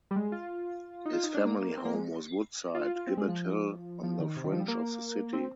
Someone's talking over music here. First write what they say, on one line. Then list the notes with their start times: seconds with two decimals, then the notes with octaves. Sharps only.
His family home was Woodside, Gibbet Hill, on the fringe of the city.
0.11 G3
0.16 G#3
0.32 F4
1.06 D#4
1.13 F4
1.23 D#4
1.35 D4
1.45 A#3
1.61 A#3
1.77 C4
1.85 A#3
1.93 G#3
2.75 F4
2.85 F4
2.96 F4
3.07 C4
3.17 G#3
3.28 F3
4.03 F3
4.20 D#3
4.36 C3
4.44 D#3
4.52 F3
4.60 G3
4.68 A#3
5.33 C4